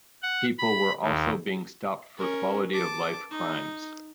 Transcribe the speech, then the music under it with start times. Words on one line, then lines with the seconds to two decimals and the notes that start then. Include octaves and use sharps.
People were also being stopped for quality of life crimes.
0.23 F#5
0.58 B5
1.03 D#2
2.17 C#4 A#4
2.73 A5 D6
3.31 D#4